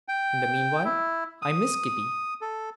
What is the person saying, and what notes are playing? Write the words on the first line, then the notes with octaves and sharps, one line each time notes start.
In the meanwhile, I miss Kitty.
G5
E4
D#6
A4